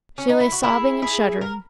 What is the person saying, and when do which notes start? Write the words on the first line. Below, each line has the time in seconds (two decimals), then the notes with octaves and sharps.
She lay sobbing and shuddering.
0.18 C#4
0.29 D#4
0.40 E4
0.52 F#4
0.63 E4 G#4
1.02 E4 G#4
1.41 A#4